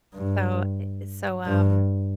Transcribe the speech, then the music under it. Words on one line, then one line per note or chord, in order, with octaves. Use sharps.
so eh, e so, um,
G2
G2